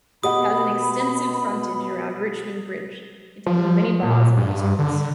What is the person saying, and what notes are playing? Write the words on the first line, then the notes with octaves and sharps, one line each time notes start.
It has an extensive frontage around Richmond Bridge, containing many bars and restaurants.
B2 G4 D#5 F#5 B5 D#6
F3
A#2
G2
D3